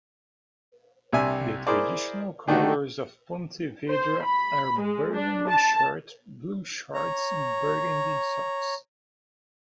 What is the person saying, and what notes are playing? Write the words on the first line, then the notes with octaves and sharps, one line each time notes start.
The traditional colours of Pontevedra are burgundy shirt, blue shorts and burgundy socks.
C2 C3 D4 E5 G#5
E4 G#4 A#4 C5 D5
D3 D#3 A3 D#4 F#4 G4
C5
B5
G#3
D4
A5
C#5 A#5